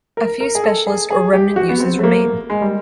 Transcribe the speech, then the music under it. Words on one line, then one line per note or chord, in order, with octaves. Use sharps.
A few specialist or remnant uses remain.
A#4
A#4
G#4
A4
G#4
G#4
G4
F#4
B3
C4
A3
A#3
G#3
G3